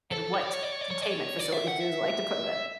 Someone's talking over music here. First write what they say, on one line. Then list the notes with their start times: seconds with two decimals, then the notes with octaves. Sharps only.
and what containment facility do you like to put it in?
0.12 A4
0.33 C#5
0.44 D5
0.53 C#5
0.63 D5
0.72 C#5
0.81 D5
0.91 C#5
1.02 D5
1.11 C#5
1.39 D5
1.52 E5
1.67 F#5
1.80 E5